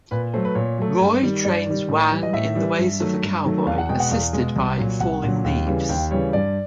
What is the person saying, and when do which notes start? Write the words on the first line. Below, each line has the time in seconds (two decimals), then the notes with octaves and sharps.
Roy trains Wang in the ways of the cowboy assisted by Falling Leaves.
0.11 A#2 B4
0.34 F#3 A3 C5
0.45 B4
0.55 A#2 C#5
0.78 F#3 A3
1.00 G2
1.22 D#3 G3
1.45 G2 D5
1.67 D#3 G3
1.89 A2
2.11 E3 G3
2.23 D#5
2.33 A2 E5
2.55 E3 G3
2.78 G2
3.00 D#3 F#3 A3
3.22 G2
3.45 D#3 F#3 A3
3.66 E2 F5
3.78 F#5
3.89 B2 G#3 G5
4.00 F#5
4.11 E2 F5
4.33 B2 G#3
4.56 C2
4.78 A#2 F#3
5.00 C2 F#5
5.23 A#2 F#3
5.44 D#2
5.67 C#3 E3 G3
5.89 D#2 G5
6.11 C#3 E3 G3 C#5
6.33 G2 D5